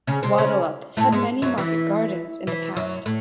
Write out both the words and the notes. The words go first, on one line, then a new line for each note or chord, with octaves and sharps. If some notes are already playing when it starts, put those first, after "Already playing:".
Wattleup had many market gardens in the past.
C#3 C#4
C3 C4
C#3 C#4
A2 A3
G#2 G#3
F#2 F#3
E3
E3
F#2 F#3
A2